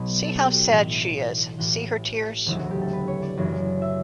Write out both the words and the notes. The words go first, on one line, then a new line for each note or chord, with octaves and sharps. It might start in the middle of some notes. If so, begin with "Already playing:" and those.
See how sad she is, see her tears?
Already playing: B1 B2 F#3 B4
A4
G4
F#4
B1 A2 E3
A1 A2 E3 F#4
E1 D2 C#3 F#3 E4
F#4
G4
A4
B4
C#5
D5
F#1 F#2 C#3 E3
E5